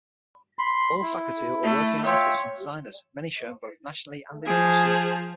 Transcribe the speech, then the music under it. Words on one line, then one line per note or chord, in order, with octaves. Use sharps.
All faculty are working artists and designers, many showing both nationally and internationally.
B5 C6
E4
A3
F4 C#5 E5 G5
F3 G#4